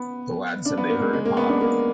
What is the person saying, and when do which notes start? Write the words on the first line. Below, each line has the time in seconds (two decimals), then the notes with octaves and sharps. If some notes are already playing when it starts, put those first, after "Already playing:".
The lads said they heard it pop.
Already playing: B3
0.65 D4
0.77 B3
0.89 A#3
1.01 G#3
1.13 G#3
1.25 A#3
1.37 B3
1.49 D4
1.61 A#3